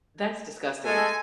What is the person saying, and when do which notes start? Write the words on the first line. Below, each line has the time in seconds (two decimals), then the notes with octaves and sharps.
That's disgusting.
0.85 G#3 A3 A4 G#5